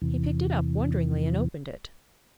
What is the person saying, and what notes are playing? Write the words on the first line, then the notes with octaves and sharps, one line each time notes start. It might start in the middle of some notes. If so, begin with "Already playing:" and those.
He picked it up, wonderingly, and opened it.
E2 C3 E3